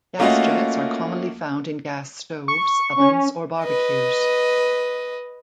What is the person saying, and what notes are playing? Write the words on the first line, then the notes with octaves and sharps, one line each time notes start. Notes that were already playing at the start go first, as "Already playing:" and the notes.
Gas jets are commonly found in gas stoves, ovens, or barbecues.
A3 A#3 C#4 F4 F#4 D#5
C#6
C#4
B4 D#5